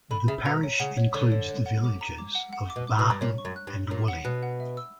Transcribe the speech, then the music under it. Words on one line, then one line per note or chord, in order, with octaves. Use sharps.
The parish includes the villages of Barham and Woolley.
D3 B5
C#3 E5
B2 A#5
C#5
C#3 F#5
C#5
D3 C#5
C#5
C#5
F#5
D6
A#5
D6
F#5
F#5
D6
B2
D6
B2
A#5
G2
A#2 C#5
C#6
F#2
F#6
G2
C#5
A#2 C#5
F#5
B2 F#6
F#5
E5
E6